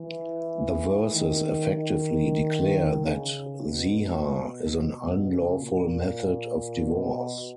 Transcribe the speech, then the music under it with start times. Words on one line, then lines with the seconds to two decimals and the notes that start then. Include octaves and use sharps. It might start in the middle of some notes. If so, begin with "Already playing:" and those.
The verses effectively declare that "zihar" is an unlawful method of divorce.
Already playing: E3
1.14 D#3
1.78 D#3
3.05 C#3
3.69 B2
4.96 B2
5.28 C#3
5.60 A#2
6.87 B2